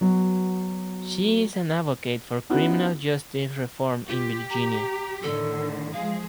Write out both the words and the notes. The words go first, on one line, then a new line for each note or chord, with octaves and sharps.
She is an advocate for criminal justice reform in Virginia.
F#3 B3 F#4
B3 C#4 D#4 E4 F#4
F4 G4
A#5
A2 D3 D#3 A4
F3 G#3 G#4 F5